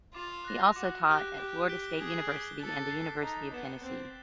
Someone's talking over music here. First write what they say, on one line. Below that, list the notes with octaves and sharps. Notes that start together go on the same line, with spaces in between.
He also taught at Florida State University and the University of Tennessee.
F4 D6
F#6 A#6
F#4 D6
G4 F#6 A#6
G4 D6
G6 B6 D7 G7
G#4 D6
G6 B6 D7 G7
A4 A6
C7 E7 G7
D#4 A6
B3 C7 E7 G7
C4 G6